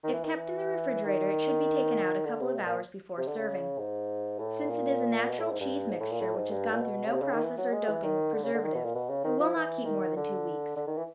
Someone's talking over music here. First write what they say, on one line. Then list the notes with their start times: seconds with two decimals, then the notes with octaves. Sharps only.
If kept in the refrigerator, it should be taken out a couple of hours before serving. Since it is a natural cheese mixture, which has gone through no process or doping with preservative, it will not keep more than two weeks.
0.04 D#3
0.13 E3
0.24 D#3
0.34 E3
1.05 D#3
2.26 D3
2.41 C3
2.57 B2
2.66 A#2
3.17 C3
3.27 D3
3.38 C#3
3.78 G#2
4.39 A2
4.69 A#2
5.30 B2
5.39 A2
5.50 G#2
5.60 G2
5.90 G#2
6.00 A2
6.12 A#2
6.21 A2
6.36 G#2
6.51 G2
6.73 A#2
6.81 B2
7.07 C#3
7.12 C3
7.22 C#3
7.33 D#3
7.43 E3
7.58 F#3
7.73 G#3
7.88 E3
8.03 D#3
8.34 D3
8.43 C#3
8.54 D3
8.64 D#3
8.74 B2
8.85 A#2
8.95 B2
9.09 C#3
9.24 D#3
9.39 F3
9.56 E3
9.85 D#3
10.17 D3
10.77 D3
10.87 D#3
10.97 E3